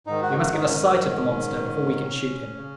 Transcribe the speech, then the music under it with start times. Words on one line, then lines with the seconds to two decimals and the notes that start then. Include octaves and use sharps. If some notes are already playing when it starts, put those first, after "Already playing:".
We must get a sight at the monster before we can shoot him.
0.07 G#2 D#3 D#4
0.22 F#4
0.32 D#4
0.38 F#4
0.53 D#4
0.68 C#4
2.57 C#3